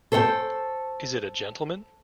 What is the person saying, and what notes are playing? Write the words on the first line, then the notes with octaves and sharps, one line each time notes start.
Is it a gentleman?
A4 C5 C#5 F#5 G5